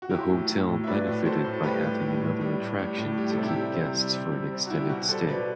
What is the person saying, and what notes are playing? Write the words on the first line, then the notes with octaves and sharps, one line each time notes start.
The hotel benefited by having another attraction to keep guests for an extended stay.
F#4
F#3 E4 G4
A2
F#3
A2
E5
F#3 B4 D5
A2
F#3 A4 C5
A2
A4
G3 G4 B4
A2
G3
A2
G3
A2
G3
A2
G3 G4
A4
C3
E4 G4
G3
C3
G3
C3
G3
C3
F#4
G3 E4
G4
B2 F#4
G3 A4 C5
B2 B4 D5